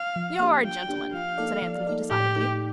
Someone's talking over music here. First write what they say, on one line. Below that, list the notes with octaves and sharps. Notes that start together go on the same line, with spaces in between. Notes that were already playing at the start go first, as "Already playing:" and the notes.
"You're a gentleman," said Anthony, decidedly.
Already playing: F5
F3
A#3 D4 G4
F3 G5
A#3 D4 G4
F3 F5
A#3 D#4 A4 D5
F3
A#3 D#4 A4 D5
A2 G4
A3 D#4 A4